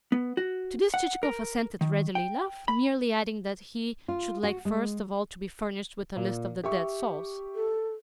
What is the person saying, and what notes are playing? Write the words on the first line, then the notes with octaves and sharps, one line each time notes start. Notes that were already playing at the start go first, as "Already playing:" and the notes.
To this Chichikov assented readily enough--merely adding that he should like first of all to be furnished with a list of the dead souls.
B3
F#4
F#5
A#4
D#3
G5
B5
F4
F#4
G#3
A#2
G4 E5 C#6
A4